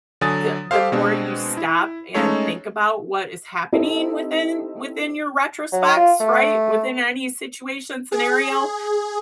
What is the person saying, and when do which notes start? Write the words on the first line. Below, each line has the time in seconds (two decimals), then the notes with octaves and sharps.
the the more you stop and think about what is happening within within your retrospect's, right, within any situation scenario,
0.21 D3 F#3 G#5 D#6 A6
0.71 G4 A4 C5 F5
0.92 B2 G#3 C4 D4
1.57 E4
2.15 G#3 A3 C#4 D#4 A4 C#5
3.73 C4 D#4 E4 G4 A4
5.72 F#3
5.97 F4
6.20 A3
8.12 G#4